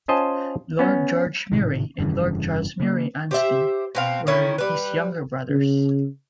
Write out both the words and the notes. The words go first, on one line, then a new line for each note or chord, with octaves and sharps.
Lord George Murray and Lord Charles Murray-Aynsley were his younger brothers.
C#4 F4 C5 D#5 G#5 A5
B3 C#4
G#1 A2 C3 D#3
F1 G2 C#3 E3
C#3 A#3
G4 C5 E5
B2 C4 F5
D#3 C#4 E4
G3 B4
C#3